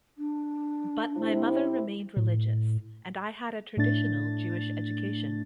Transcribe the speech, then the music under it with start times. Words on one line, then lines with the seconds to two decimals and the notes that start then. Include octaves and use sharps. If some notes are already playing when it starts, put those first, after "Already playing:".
But my mother remained religious and I had a traditional Jewish education.
0.17 D4
1.16 C3 C4 E4
2.17 A2
3.77 A2 A3 D4 A6